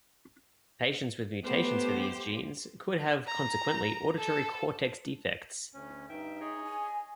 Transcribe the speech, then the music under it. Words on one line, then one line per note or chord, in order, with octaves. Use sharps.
Patients with mutations for these genes could have consequently auditory cortex defects.
A3 B3 G4 C5
A#5
A4
D2 C#4
G2 D#4 E5 G5
G#4 C#5 D#5
G#5